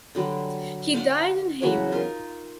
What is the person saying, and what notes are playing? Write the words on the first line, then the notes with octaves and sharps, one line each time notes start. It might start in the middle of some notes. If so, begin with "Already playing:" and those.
He died in Hayward.
D3 F#3 G3
C5 D5 F5 F#5
C#3 E3 F#3 F#4
D#4 F4 A#4